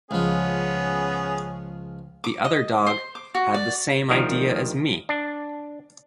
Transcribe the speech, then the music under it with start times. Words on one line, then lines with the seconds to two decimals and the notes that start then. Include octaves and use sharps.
The other dog had the same idea as me!
0.11 C#2 F3 B3 C#4 G#4
2.24 D6
2.45 D#5
2.87 C5
3.15 D6
3.35 F#4
3.54 D5
4.09 D2 D#3 F3 G3 A#4
5.09 D4